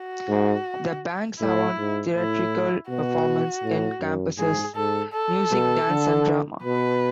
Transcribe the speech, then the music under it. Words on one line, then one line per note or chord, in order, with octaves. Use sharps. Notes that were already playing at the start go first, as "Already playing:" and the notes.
The "bangsawan" theatrical performance encompasses music, dance and drama.
Already playing: F#4
G#2
A2 E4
G#2
A2 E4
B2 F#4
A2
F#2
G#2 G#4
G#2 A4
A4
B2
D3
B2 B4